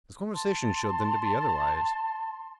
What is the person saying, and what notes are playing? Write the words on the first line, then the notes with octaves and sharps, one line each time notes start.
His conversation showed them to be otherwise.
A5 C6